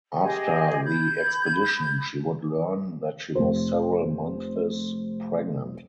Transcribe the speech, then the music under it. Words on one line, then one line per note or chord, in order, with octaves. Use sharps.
After the expedition she would learn that she was several months pregnant.
G4 G#4 D#5 G#5
B5 G6 G#6
F1 C5